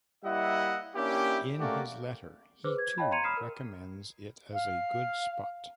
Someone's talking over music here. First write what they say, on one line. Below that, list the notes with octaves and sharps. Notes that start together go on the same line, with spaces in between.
In his letter, he too recommends it as a good spot.
G3 A#3 E4 D#5 E5 F#5
A#3 C#4 D4 E4 G4
A3 A#3 C#4 F#4 G4 D5
G#4 B4 C5 D6
G#6
C#5 D#5 F5 G5 A5 B5
A#5 C6 G#6 C#7 D#7 F7
B5 D#6 F6 B6 C7 E7
A#4
F5